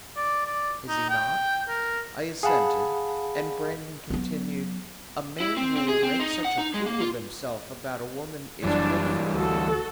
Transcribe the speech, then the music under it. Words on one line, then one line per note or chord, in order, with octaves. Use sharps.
Is he not?" I assented; and Brandon continued: "A man who will make such a fool of himself about a woman is woefully weak.
D5
D5
D#4
G5
A#4
G#4 F5 F#5 A5 B5
F#3 B3
E4
C4
C4
G#4
C4
D#4
F#5
D#4
G#3
A#3
F4
F#1 F#2 E3 G3 D4
D2 F#4 A4